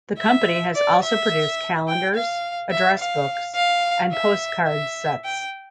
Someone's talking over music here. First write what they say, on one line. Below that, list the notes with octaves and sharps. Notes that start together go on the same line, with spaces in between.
The company has also produced calendars, address books, and postcards sets.
E5
D5
E5
G5
F5
E5
F5
F5
E5
E5
G5